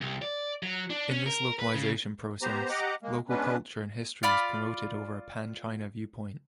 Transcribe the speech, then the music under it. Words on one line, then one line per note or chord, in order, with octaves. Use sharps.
In this localization process, local culture and history was promoted over a pan-China viewpoint.
C2
D5
F#3
D4
C#4
A#4
B4
C#3
B3 G4 C5 A#5
G4 D#5 F#5 A#5 D6
G#3 A#3
G#3 B3 C#4 D4 B4
F4 D5 B5